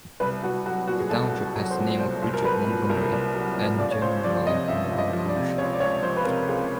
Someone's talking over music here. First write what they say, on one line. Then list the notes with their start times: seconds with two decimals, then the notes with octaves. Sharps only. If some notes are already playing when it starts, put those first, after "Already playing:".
The township has the name of Richard Montgomery, an general in the American Revolution.
0.20 C2 B4
0.43 C2 F#4
0.66 F#3 F#4
0.87 A#2 F#4
0.99 G#4
1.10 C2 A4
1.32 C2
1.56 F#3
1.70 C5
1.78 A#2
1.99 C2 C5
2.22 C2
2.34 A#4
2.45 F#3 B4
2.67 A#2
2.89 C2 A#4
3.12 C2
3.35 F#3
3.56 A#2
3.79 C#2 D5
3.91 C#5
4.02 C#2 C5
4.24 F3 D5
4.47 C3 D#5
4.68 C#2 E5
4.92 C#2
4.98 D#5
5.13 F3
5.28 D5
5.36 C3
5.58 C#2 C#5
5.73 D5
5.80 C#2 C#5
6.03 F3 C5
6.17 B4
6.25 C3 A#4
6.48 C#2 G#4